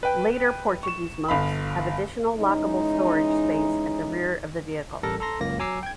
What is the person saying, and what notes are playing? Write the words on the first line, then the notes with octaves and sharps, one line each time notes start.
Later Portuguese Mokes have additional lockable storage space at the rear of the vehicle.
B4 G5
C#6 E7
G1 F5 B5
E3 G#3 C#4 D#4
A1 G3 A4 A#4 D5 A#6
A4 A#5 C6 A#6
C#2 F#2 A#3 A#6
F#3 G#5 A#5 D6 E6 C7
G5 G#6